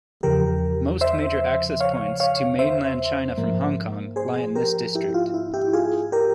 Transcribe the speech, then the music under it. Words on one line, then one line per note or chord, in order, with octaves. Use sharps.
Most major access points to Mainland China from Hong Kong lie in this district.
E2 C#3 F3 G4 A#4
C5 E5
C#5 F5
C#5 F5
C5 E5
G#2 F3 A#3
G#4 C5
G4 A#4
E4 G4
F4
E4
E4 G4
F4 G#4
G4 A#4